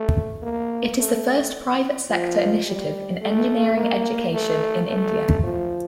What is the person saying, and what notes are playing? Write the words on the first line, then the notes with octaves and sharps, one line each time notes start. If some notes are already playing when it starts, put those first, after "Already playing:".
It is the first private sector initiative in engineering education in India.
Already playing: A3
A#3
A3
F3
G3
A3
A#3
A3
A3
F3